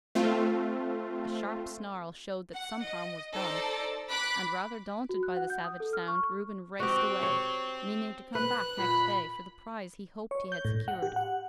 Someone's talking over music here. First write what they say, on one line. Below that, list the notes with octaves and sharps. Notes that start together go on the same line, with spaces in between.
A sharp snarl showed that some harm was done, and, rather daunted by the savage sound, Reuben raced away, meaning to come back next day for the prize he hoped he had secured.
A3 C4 F4
F#5
D#5
D#4 A4 C5 D5
B5 D6 F#6 B6
F#4
F#6
F#5
G6
D#6
A4
F6
C#6
C4 F#4 G4
C#5
B4 F#6
A#2 B5
C#5
G6
A2
F#5
G4
F#5